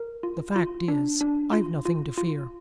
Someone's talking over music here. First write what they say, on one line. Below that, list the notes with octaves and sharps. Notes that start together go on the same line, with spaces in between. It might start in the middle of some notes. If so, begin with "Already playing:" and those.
The fact is, I've nothing to fear.
Already playing: A#4
F4
F4
D4
D4
F4
F4
F4